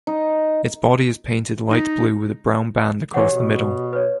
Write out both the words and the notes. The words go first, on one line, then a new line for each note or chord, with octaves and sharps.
Its body is painted light blue with a brown band across the middle.
D#4
D#4
E3 G4 C#5 F#5
B2
B4 C#5